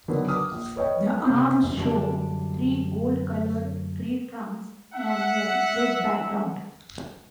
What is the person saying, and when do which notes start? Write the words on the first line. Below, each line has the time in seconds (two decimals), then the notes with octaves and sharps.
The arms show three gold-colored tree trunks on a red background.
0.08 D3 D#3 F#3 B3 A#4
0.28 D6 D#6 F6
0.51 A#1
0.76 B4 C#5 D#5 G5
1.25 C3 C5 G6
1.77 F#2 D3 G3 D4
4.93 E5 F#5